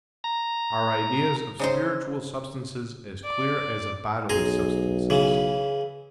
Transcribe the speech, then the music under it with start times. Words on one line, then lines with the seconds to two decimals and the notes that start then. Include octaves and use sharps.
Our Ideas of spiritual Substances, as clear as of bodily Substances.
0.24 A#5
1.59 C#3 D#4 C5
3.24 D5
4.29 B1 G#4 A#5 C6
5.10 C#3 E3